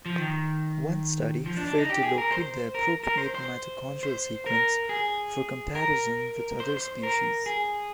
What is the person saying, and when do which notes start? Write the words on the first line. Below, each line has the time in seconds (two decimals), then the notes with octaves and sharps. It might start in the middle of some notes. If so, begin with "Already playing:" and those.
One study failed to locate the appropriate mitochondrial sequence for comparison with other species.
0.06 F3
0.18 D#3
1.46 F3
1.57 D4
1.68 D4
1.78 D#4
1.90 G4
2.03 G#4
2.18 A#4
2.32 C5
2.75 A#4
3.03 A#4
3.18 C5
3.35 C5
4.03 C5
4.46 A#4
4.89 G#4
5.75 A#4
6.60 C5
6.77 C5
7.03 A#4
7.46 G#4